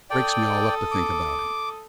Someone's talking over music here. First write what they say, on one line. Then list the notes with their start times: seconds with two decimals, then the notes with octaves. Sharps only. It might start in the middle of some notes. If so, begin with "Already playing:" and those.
It breaks me all up to think about it.
0.10 A4 D5 G5 D#6
0.91 D6